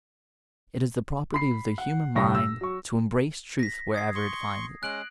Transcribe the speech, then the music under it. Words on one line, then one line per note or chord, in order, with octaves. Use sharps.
It is the property of the human mind to embrace truth wherever it finds it.
B5 C7
F#5
G1 C2 G2 G5 C#6 A#6
E6
F#3 C#6
A#6 B6
D#6 G#6 C7
C6 C#6
G#3 C#4 F#6 D7 F#7